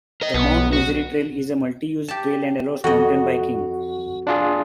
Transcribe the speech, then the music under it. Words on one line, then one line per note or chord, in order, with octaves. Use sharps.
The Mount Misery Trail is a multi-use trail and allows mountain biking.
A#4 D#5
B1 B3
F#4
G4 A5
F2 F#4 D#5
D4 F4 G#4